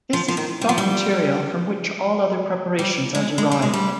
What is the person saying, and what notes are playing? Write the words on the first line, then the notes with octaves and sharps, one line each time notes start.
This is the stock material from which all other preparations are derived.
F3
F3
D#3
G3
F3
G3
G3
G#3
G#3
G3
G#3
G3